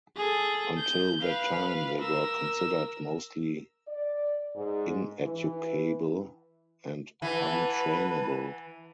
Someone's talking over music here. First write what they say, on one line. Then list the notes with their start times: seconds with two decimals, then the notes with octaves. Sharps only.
Until that time they were considered mostly ineducable and un-trainable.
0.16 G#4 A4
0.77 G6
1.21 B4 F5
1.99 A#4 E6
3.87 D5
4.55 G#2
5.21 E3
7.22 E3 B4 F#5 A5